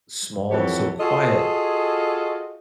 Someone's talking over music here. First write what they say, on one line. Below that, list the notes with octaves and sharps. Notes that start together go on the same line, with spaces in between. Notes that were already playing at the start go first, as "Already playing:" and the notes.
small and so quiet,
F2 E3 F#4 G4 A4 C#5
F4 F#4 G#4 A4 D#5